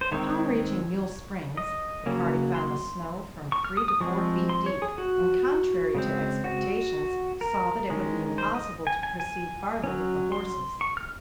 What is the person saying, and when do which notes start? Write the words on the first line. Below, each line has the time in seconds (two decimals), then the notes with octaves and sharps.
Upon reaching Mule Springs, the party found the snow from three to four feet deep, and, contrary to expectations, saw that it would be impossible to proceed farther with the horses.
0.01 C5
0.12 D#3 G#3 C4 C#5
1.57 D#5
2.06 C#3 F#3 A#3 C#4
2.55 C6
3.52 C#6
3.64 F6
3.77 D#6
3.88 D#6
4.01 F3 G#3 C4 C#6
4.49 C6
4.66 C#5
4.82 G#4
4.98 F#4
5.95 C#3 G#3 C4
6.44 F#4
7.41 A#4
7.90 D#3 G#3 C#4
8.38 C5
8.55 D#5
8.87 G#5
9.03 G#5
9.20 G#5
9.84 F#3 C#4
10.32 C6
10.81 C#6
10.97 F6